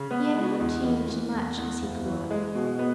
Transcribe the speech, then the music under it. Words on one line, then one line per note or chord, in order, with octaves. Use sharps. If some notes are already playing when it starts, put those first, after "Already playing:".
He had not changed much as he grew up.
Already playing: C#3
B3
G#3
E2
E3
E3
E2
E2
F#1
E3
G#3
B2
B3